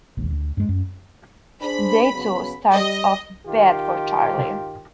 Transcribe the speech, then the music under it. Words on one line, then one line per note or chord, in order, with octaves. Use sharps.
Day two starts off bad for Charlie.
E1 A#1 D#2
D2
G2 G#3
F#2
D4 G#4 C5 B5
C#3 F#3 B3
G3 D#5
D#3 F4 G4